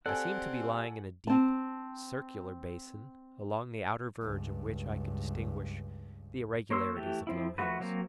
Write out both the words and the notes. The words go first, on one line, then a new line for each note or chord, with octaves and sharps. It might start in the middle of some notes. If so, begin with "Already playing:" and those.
I seemed to be lying in a deep, circular basin, along the outer verge of which I could distinguish the irregularities of low hills.
C4 G4 A4 D5 F#5 G#5
C4 A5
C#2 G2
A#3 C#5 C6 E6
E3 A3 G4
F3 C4 E4
F3 A3 F#4 B4
F#3 A#3 C4